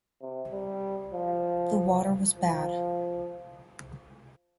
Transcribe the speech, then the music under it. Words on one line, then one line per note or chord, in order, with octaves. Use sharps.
The water was bad.
C3
G3
F3
F3